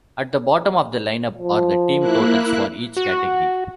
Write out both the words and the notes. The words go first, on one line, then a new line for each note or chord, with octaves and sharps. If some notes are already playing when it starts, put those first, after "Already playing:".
At the bottom of the lineup are the team totals for each category.
F3
A#3 E4 F#6
F#4